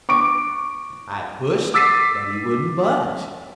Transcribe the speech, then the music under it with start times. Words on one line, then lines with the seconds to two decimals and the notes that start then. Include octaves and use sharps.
I pushed, but he wouldn't budge.
0.09 C#6 D6 D7
1.74 D6 E6 A6 B6 C7 D#7